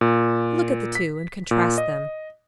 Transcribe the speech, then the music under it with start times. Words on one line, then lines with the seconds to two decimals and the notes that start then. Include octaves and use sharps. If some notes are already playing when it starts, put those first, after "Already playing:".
Look at the two, and contrast them.
0.01 A#2
0.95 B6
1.51 A#2
1.78 D#5